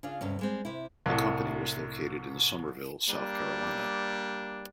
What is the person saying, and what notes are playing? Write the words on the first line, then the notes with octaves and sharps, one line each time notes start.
The company was located in Summerville, South Carolina.
C#3 D4 F4
D2 G2 C3 C#4
G3 G#3 C4
C3 E4
C2 A2
G3 A#3 D4